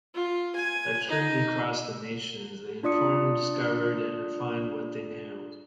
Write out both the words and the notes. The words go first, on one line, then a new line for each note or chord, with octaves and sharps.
Lecturing across the nation, they informed, discovered, and refined what they knew.
F4
G#5
D#4
D4 F4 D5 D#6 C#7